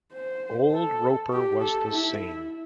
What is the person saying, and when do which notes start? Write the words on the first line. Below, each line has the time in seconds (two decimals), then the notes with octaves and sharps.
Old Roper was the same.
0.14 C5
0.72 A4
1.32 G4
1.62 A4
1.91 E4